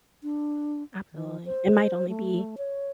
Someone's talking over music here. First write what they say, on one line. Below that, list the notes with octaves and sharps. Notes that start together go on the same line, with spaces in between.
Absolutely. It might only be
D4
D#3
C5
A3
C#5